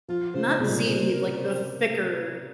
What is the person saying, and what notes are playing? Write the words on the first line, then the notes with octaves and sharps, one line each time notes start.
not ziti, like, the thicker,
F3 F4
C#3 C5
C3 G#4
A#2
A#2 C5
A#4
C5